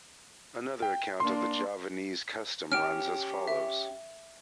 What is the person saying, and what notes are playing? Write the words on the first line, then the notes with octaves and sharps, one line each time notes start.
Another account of the Javanese custom runs as follows.
G5
A#3 D4 C6
C#4 G4 F6 D7
E5